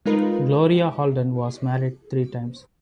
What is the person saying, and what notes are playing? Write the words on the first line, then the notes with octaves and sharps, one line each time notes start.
Gloria Holden was married three times.
G#3 D#4 F4 A#4 B4